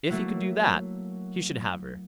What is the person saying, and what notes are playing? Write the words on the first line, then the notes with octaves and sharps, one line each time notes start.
If he could do that, he should have her.
F#3 A3 A#3 E4 F#4